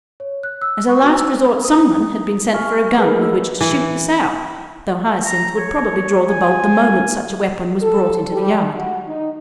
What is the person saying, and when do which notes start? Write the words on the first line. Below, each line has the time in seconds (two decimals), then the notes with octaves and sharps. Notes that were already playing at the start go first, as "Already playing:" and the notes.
As a last resort some one had been sent for a gun with which to shoot the sow, though Hyacinth would probably draw the bolt the moment such a weapon was brought into the yard.
0.20 C#5
0.43 F#6
0.62 E6
0.88 C#6
1.02 F#4
1.17 E6
1.65 D#6
2.54 G#5 C#6 F6
2.97 A3 A#3 G#4 A#4 B4
3.22 E6
3.61 E3
5.25 A#5
5.57 C#5
6.29 G#5
7.82 A4
8.32 G3
8.76 F#4
9.07 D#4